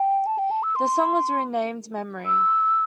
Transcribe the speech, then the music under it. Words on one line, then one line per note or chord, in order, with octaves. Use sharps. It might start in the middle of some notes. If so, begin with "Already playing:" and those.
The song was renamed "Memory".
Already playing: G5
A5
G5
A5
E6
C6
E6